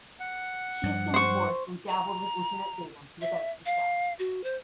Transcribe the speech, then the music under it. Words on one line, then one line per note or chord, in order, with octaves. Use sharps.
She has been divorced and dabbled with internet dating without success.
F#5
G2 F3
C5 C#6
A#5
E5
F5
F#4
C5